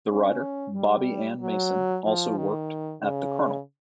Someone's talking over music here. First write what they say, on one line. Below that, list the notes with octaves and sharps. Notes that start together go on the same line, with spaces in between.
The writer Bobbie Ann Mason also worked at the "Kernel".
C#4
G3
F#3
F3
D#3
C#3